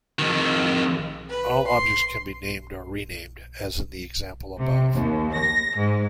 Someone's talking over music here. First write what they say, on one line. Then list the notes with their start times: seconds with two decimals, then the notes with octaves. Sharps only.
All objects can be named or renamed, as in the example above.
0.19 F2 D#3
1.29 B4
1.68 C6
4.59 C3
4.94 D#2
5.37 A#6
5.78 G#2